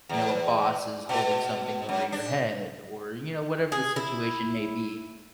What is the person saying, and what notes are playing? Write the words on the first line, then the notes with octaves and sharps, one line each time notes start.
you know, a boss is holding something over your head or, you know, whatever the situation may be.
E2
B2
F#2
D4
G#4
E4